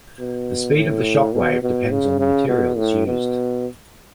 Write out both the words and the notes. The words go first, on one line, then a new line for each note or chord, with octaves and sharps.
The speed of the shock wave depends on the materials used.
B2
A2
B2
B2
C#3
C#3
B2
A2
B2